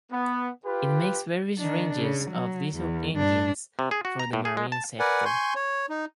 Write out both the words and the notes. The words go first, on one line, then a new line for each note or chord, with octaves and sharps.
It makes various ranges of diesel engines for the marine sector.
B3
F4 G4 B4
D#3 D4
C#3
F#3
E2
G2 D4
C3
G#4
F#4
A#5
A2
G#4
G#3
A5
A#4 B4 D5 F#5 G#5
G#5 C6 C#6 G6
C#5
D#4